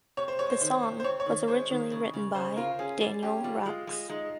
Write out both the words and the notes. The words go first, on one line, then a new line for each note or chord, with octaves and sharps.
The song was originally written by Daniel Rucks.
C3 C#5
C5
G#3 C#5
C5
D#3 C5
C3
C5
C4 C#5
C#5
D#3
G#3 C5
D#3
C#3
C#3
C#3 C5
F4 A#4
C#4 G#4
G3
C#4 G4
G3 F4
G#3 F4
G#3
G#3 D#4